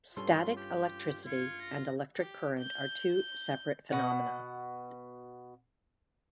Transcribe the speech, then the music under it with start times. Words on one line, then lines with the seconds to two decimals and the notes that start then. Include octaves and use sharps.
Static electricity and electric current are two separate phenomena.
0.17 G2 C#4 F4 A4 C6
0.57 G4
1.26 F4 G#6 C#7
1.63 A#6
2.16 G4
2.59 G6
3.13 G6
3.92 B2 F#5